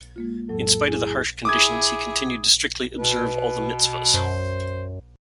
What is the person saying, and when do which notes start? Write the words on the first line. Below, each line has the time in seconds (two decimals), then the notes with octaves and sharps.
In spite of the harsh conditions, he continued to strictly observe all the mitzvos.
0.16 G#3 A#3 F4
0.49 F2 A2 F#3 A4
0.88 E4 G#4
1.45 E4 G#4 D6 D#6 G#6
2.98 B2 B4
4.14 F#2 C5